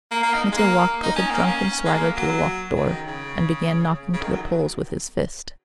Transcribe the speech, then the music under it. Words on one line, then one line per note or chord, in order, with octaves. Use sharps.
Mitya walked with a drunken swagger to the locked door, and began knocking to the Poles with his fist.
A#3
A#3
D#4
G#3
A#3
D#4
C#4
A#3
C#4
G#3
A#3
F#3
C#3
D#3
C#3
C#3
D#3
F#3